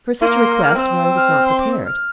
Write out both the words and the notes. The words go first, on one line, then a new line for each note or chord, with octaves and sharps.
For such a request Mary was not prepared.
A#3 C6
F6
C4 E6
E6
E6
F6
C6
D6
E6
F6